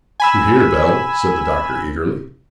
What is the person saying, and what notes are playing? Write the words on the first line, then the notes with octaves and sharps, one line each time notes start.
"You hear, Bell," said the Doctor, eagerly.
G#5 B5 E6